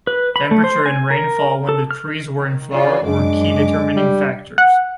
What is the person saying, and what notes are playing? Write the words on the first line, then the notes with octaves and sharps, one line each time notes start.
Temperature and rainfall when the trees were in flower were key determining factors.
B4
B5
A3
C5
G#5
A#4
A4
F6
D#3
C#3 F4 F#4 D5
F#2 G#3 D4 D6
G3
F#5